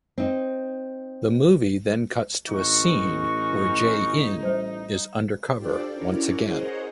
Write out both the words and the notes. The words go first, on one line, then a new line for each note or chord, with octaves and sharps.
The movie then cuts to a scene where Jae-in is undercover once again.
C4 D#4
A1 C#4 D#4 F#4 C#6
G3 C5
D4 F4 G4 A4 C5 D5
C#4 E4 F#4 A#4 C#5 D5
G#4 A#4 C5 C#5 D#5 F#5